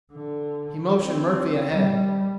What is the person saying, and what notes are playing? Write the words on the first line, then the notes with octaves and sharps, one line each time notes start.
He motioned Murphy ahead.
D3
C4
G3